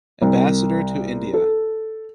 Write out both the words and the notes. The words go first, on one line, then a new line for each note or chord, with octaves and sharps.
Ambassador to India.
C2
A4